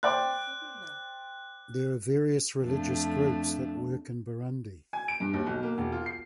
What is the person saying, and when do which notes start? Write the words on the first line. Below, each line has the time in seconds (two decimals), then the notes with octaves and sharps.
There are various religious groups that work in Burundi.
0.03 C5 D5 G5 F#6
2.62 F2 A3 D4
4.93 G#5
5.08 D7
5.20 G2
5.34 D#2
5.47 B1
5.63 A#3
5.78 E1
5.92 F4
6.06 C7